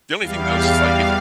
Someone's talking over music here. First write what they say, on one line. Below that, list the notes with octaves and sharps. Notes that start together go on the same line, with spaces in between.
The only thing though, is just like if
E2 G3 F5